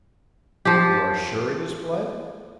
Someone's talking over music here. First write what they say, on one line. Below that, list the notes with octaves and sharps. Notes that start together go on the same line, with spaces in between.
"You are sure it is blood?"
F3 G4